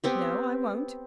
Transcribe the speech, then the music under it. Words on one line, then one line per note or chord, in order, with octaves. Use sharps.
No, I won't.
B3 C4 G4